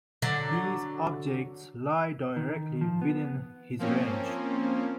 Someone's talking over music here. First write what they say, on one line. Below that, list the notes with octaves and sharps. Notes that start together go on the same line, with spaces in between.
These objects lie directly within his range.
D3 F#3
D#3
F3
B3
F3 A#3 C4 C#4